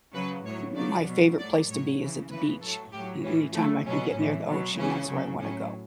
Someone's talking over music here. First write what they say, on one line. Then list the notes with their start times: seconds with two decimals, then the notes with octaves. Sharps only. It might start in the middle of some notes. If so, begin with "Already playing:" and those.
and my favorite place to be is at the beach. A anytime I can get near the ocean, that's where I want to go,
0.14 C#3 F#3 B4
0.45 A2 F#3 C#5
0.75 C#3 F#3 D5
1.07 B2 F#3
1.38 A2 F#3 D5
1.69 A2 F#3 C#5
2.00 C#3 E3
2.30 C#3 E3 B4
2.61 A2 F#3 A4
2.92 A2 F#3 G4
3.23 A2 E3 C#4
3.54 C#3 F#3 A3
3.85 B2 F#3 C#4
4.16 A2 E3
4.47 B2 F#3
4.78 C#3 E3 C#4
5.09 C#3 F#3
5.39 A2 F#3 C#4